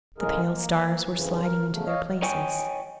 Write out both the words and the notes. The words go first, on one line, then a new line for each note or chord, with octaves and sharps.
The pale stars were sliding into their places.
A2 C#3 G#3 G#4 A#4
A#3
F2 G#2 C#3 E3
A#4
E2 C#3 F#3 A3
C#5 D#5 F5
C#5 D#5 G5 G#5